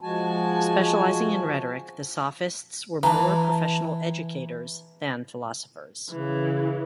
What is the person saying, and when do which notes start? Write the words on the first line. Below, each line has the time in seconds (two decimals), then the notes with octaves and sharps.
Specializing in rhetoric, the Sophists were more professional educators than philosophers.
0.01 F3 G#3 F#4 G#5 A5
3.03 E3 A5 A#5
6.10 C#3 E3